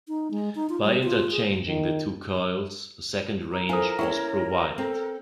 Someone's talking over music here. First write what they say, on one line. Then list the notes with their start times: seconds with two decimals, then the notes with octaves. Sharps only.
By interchanging the two coils a second range was provided.
0.08 D#4
0.31 G#3
0.55 D#4
0.70 F4
0.83 G3
1.04 F4
1.31 G#4
1.67 D#3
3.52 A#5
3.69 E4 F4 A4 A#4 C5 G#5
3.99 A#3 C#4 E4 C#5 F#5 G5 C#6
4.78 C4 A4